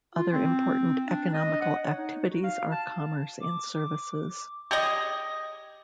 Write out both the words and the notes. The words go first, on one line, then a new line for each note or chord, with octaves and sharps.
Other important economical activities are commerce and services.
F4
C4
D4
D#5
F#5
C#5
D#4
F#4
F5
A5
D6
G4 G#4 D#5